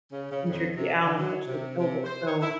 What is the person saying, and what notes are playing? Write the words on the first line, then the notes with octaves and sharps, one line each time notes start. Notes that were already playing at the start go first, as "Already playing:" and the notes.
injured the owl and eventually killed it, so,
C#3
C#3
F2
C3
D3
F#3
C3
C3
C5
C#5
E4